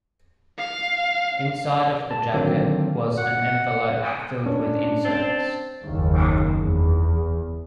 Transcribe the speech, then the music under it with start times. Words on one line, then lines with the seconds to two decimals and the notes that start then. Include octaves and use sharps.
Inside of the jacket was an envelope filled with inserts.
0.59 F5
2.11 A5
2.33 D3 D#3 F#3 A#3 C4
3.18 F#5
4.46 C#4 D4
5.05 C4 A5
5.86 F#1 D#2
6.61 E2